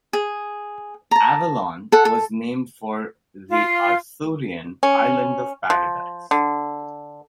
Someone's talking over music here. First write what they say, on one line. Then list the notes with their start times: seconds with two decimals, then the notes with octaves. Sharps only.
Avalon was named for the Arthurian island of paradise.
0.13 G#4
1.11 A5 A#5
1.92 A4 F#5
2.05 A4
3.50 F4
4.83 C#4
5.70 F3
6.31 D3